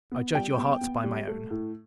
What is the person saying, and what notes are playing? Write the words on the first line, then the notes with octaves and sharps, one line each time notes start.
I judge your hearts by my own.
B3
G3 G5
B3
B3
G3
A3
A2